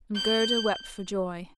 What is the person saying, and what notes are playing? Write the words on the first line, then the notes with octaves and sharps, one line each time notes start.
And Gerda wept for joy.
G6